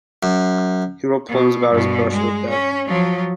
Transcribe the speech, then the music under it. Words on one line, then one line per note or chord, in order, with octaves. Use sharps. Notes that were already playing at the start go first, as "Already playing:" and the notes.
He wrote poems about his brush with death.
F#2
B2
G2 B2
G#3
C#4
F3 F#3